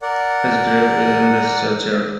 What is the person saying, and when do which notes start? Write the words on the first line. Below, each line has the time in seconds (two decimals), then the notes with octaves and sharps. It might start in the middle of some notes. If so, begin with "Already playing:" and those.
His grave is in this churchyard.
0.02 A#4 D5 F#5